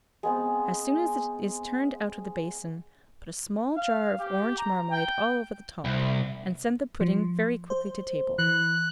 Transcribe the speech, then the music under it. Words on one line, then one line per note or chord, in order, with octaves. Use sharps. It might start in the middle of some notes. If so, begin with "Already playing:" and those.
As soon as it is turned out of the basin, put a small jar of orange marmalade all over the top, and send the pudding very quickly to table.
G#3 B3 C4
F5
G4
A#5
G5
C2
F3
C5
E3 F#6